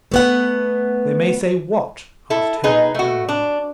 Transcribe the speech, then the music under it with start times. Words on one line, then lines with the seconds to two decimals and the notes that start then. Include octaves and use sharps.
"They may say what?" asked Henry Dunbar.
0.12 A3 B3 F#5
2.30 E4 A4
2.64 D#4 G#4 B4
2.95 A3 F#4
3.29 D4